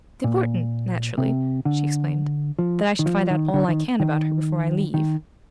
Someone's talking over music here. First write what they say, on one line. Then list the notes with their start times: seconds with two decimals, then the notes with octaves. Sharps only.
"It's important, naturally," she explained, "that I should find out all I can about her before I leave."
0.24 A#2
1.18 C3
1.65 D3
2.59 F3
2.99 D#3
3.06 F3
3.30 D#3
3.54 D3
3.68 D#3
4.00 D#3
4.94 D#3